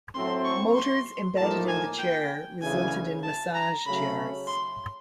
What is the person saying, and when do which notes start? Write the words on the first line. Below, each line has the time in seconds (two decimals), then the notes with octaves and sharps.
Motors embedded in the chair resulted in massage chairs.
0.14 A2 F#3 A3 C4 C6
0.44 C#6
0.76 C6
1.37 A2 F3 A#3 D#4 A5
1.68 G#5
1.99 G5
2.61 D2 C#3 E3 G#5
3.24 A5
3.55 A#5
3.85 C#3 F#3 A3 C#4 B5
4.47 C6